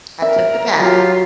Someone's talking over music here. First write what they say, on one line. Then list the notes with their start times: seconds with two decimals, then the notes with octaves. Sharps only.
I took the path
0.22 A#4 E5
0.79 F#3 F4 G4 A#5